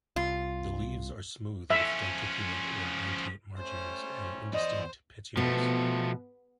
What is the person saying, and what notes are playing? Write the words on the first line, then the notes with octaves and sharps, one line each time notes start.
The leaves are smooth with denticulate or dentate margins and indistinct petioles.
C2 F4
F3 C#4 E5
G3 A3 C#4 C5
E2 E3 C5 D5 D#5
B2 F3 A3